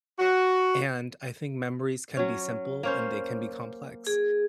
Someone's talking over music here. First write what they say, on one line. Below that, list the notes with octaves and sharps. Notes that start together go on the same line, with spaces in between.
and I think memories can be simple and they can be complex,
F#4
F#3 C#4
A#3 C#4 C5
G#4